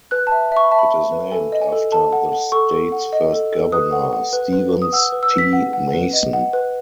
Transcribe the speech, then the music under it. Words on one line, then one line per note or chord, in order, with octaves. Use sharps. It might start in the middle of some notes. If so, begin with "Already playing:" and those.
It is named after the state's first governor, Stevens T. Mason.
B4 F#6
E5 A5
E5 C#6
B5
E5 A5
B5
E5
B4
A4 G#5
D#5
G#5
A4
A4 A5
F#5
F#5
A4 C#6
A4
F#5
D#5
A4
A4
B4 D#6
F#5
F#5
B4
B4
B4
D#6
F#5 E6
B4
E6
B4
B6
F#5
F#5
B4
D#5
F#5
B4